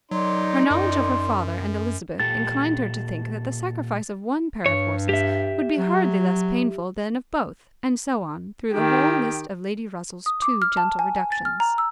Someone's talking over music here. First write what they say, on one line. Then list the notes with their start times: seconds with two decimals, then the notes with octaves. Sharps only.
Her knowledge of her father and Elizabeth inclined her to think that the sacrifice of one pair of horses would be hardly less painful than of both, and so on, through the whole list of Lady Russell's too gentle reductions.
0.11 F#3 D#4 D5 C6
0.71 F#2
2.20 A#2 G4 A4 A6
4.66 G2 C#5
5.09 G4 E5
5.78 F#3
8.73 D#3 G4
10.26 D#6
10.42 D6
10.62 F6
10.77 A5
10.99 G#5
11.16 G#5
11.32 A6
11.45 F6
11.60 A#5
11.78 E6